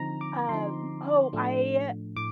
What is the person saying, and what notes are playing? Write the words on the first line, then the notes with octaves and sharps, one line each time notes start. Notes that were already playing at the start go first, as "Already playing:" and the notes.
um oh, I
Already playing: D3 F3 C4 D#4 A#5
D6
D3 F3 C4 D#4 C6
A2 F3 A3 D4
A2 D6